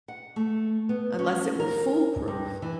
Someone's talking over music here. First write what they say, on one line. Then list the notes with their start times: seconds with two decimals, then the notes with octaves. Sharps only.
unless it were foolproof.
0.08 F#5
0.36 A3
0.89 B3
1.19 C#4
1.60 A#4
2.28 G2
2.62 E3